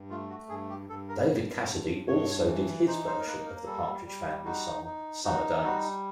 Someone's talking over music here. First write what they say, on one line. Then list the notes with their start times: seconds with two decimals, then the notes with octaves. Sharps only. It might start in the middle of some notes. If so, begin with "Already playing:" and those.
David Cassidy also did his version of the Partridge Family song, "Summer Days".
Already playing: G2
0.10 A3 F4
0.29 F#4
0.49 G2 G#4
0.70 G4
0.89 G2 A4
1.09 A#4
1.29 G2
1.68 G2
2.08 G2 C#5
2.47 E3
2.87 D#4 C5
3.07 C5
3.20 A#4
3.27 A#3 B4
3.46 A#4
3.66 G3 A4
4.06 G3
4.45 D#4 F#4
4.85 D#4
5.24 D#4 F#4
5.64 G3 F#4